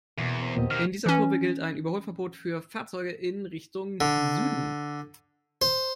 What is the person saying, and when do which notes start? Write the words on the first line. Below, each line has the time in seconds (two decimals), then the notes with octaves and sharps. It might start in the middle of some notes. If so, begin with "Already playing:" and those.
In dieser Kurve gilt ein Überholverbot für Fahrzeuge in Richtung Süden.
0.18 E2 B2 A#3 F#4
0.41 C4
0.56 D#2 A#2 B3 G4 D#5
0.71 D#3 A#3 F6 G6
1.06 E3 C#4
4.01 D3
5.62 C5